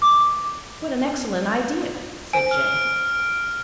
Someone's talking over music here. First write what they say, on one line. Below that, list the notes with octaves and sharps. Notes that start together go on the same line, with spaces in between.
"What an excellent idea!" said Jane.
D6
C5 G#5 D7
F6